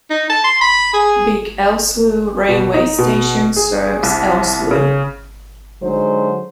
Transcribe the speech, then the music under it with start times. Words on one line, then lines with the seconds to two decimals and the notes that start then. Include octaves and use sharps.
Beek-Elsloo railway station serves Elsloo.
0.10 D#4
0.30 A5
0.44 C6
0.61 B5
0.93 G#4
2.49 B2
2.74 D#4
2.98 B2
3.56 G#4
4.03 C2
4.71 C#3
5.82 D3 F#3 G#3 D#4 C5